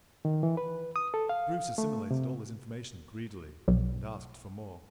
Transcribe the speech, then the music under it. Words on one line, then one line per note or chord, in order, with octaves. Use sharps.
Bruce assimilated all this information greedily--and asked for more.
D#3
E3
B4
D#6
A4
F5
A3
C3
B1